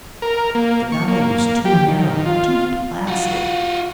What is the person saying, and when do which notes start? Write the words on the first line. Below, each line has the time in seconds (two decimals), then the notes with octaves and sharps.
The valley was too narrow, too placid.
0.22 A#4
0.55 A#3
0.92 C#6
1.08 A#3
1.65 G4
1.88 D#3
2.26 F4
3.08 F4 F#4